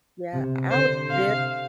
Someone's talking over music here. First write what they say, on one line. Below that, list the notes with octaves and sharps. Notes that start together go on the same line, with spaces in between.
Yeah, I was very
C3
D3 C5
C3 F5